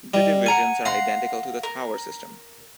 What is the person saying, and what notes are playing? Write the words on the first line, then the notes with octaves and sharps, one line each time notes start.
The divisions are identical to the tower system.
G3 D#5
F#5 G#5 A#5 F6
F5 F#5 A#5 C6
A#4